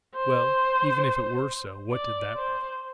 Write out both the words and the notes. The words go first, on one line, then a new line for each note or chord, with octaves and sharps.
Well, even if it were so, what did that prove!
C5
D5
C5